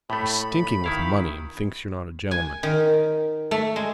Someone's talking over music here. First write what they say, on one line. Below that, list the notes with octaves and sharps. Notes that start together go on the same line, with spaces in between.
He's stinking with money and thinks you're not a gentleman.
A2 A3 B5
D#3 E4 F5
G#5
D#3
A3
G#3